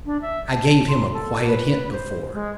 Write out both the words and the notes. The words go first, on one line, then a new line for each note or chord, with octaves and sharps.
I gave him a quiet hint before.
D4
E5
A5
C6
A4
B4
C5
G#3